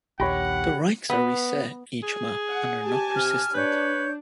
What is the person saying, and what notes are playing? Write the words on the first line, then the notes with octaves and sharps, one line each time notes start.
The ranks are reset each map and are not persistent.
A#1 D#2 G4 C#5 F#5 B5 A#6
B3
G#4
F#5
G4 G#5 A5
C3 F6
D4 B4 C#5 G6